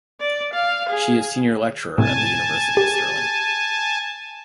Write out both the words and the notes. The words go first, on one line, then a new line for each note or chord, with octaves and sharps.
She is Senior Lecturer at the University of Stirling.
D5
F5
G#4
A2 C3 G#5 A5
G4